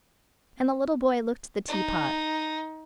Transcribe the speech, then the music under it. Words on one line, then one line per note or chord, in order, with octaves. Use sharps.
And the little boy looked at the tea-pot.
D#4